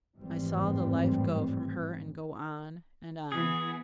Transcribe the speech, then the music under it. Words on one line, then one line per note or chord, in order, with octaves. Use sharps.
I saw the life go from her and go on, and on.
G#1 F2 A2 E3 G3 C4
E3 B3 G#4